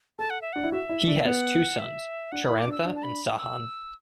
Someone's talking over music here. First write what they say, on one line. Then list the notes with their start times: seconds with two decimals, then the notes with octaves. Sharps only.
He has two sons, Chirantha and Sahan.
0.19 A4 A5
0.30 F#5
0.42 E5
0.53 D4 F#5
0.64 E4
0.72 F#4 E5
0.89 E4
1.07 D4
1.25 B3 F#5
1.79 E5
2.32 D4 F#5
2.45 E4 B5
2.58 D6
2.67 D4
2.72 E6
2.85 D4
2.96 A5
3.03 B5
3.38 E6